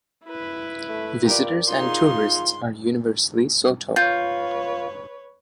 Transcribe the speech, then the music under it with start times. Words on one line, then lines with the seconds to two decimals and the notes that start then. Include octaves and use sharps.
Visitors and tourists are universally "soto".
0.25 E4 B4
0.89 A3
1.25 F4 G4 A#4 D5
1.68 D#4 F4 G#4 C6
3.96 F4 B4 C#5 G6